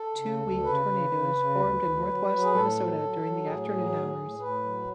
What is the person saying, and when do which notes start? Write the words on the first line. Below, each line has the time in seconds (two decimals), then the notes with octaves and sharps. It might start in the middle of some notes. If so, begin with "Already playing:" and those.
Two weak tornadoes formed in northwest Minnesota during the afternoon hours.
Already playing: A4
0.16 C#3
0.39 D2
0.63 C#3 B4
0.86 C#3
1.10 C#3
1.34 C#3
1.57 D2
1.81 D2
2.04 F#3
2.27 F#3
2.42 G#4
2.52 A2 A4
2.75 F#3
2.99 F#3
3.22 F#3
3.45 A2 G#4
3.69 F#3
3.92 A2
4.15 A2
4.39 A2 B4
4.64 F#3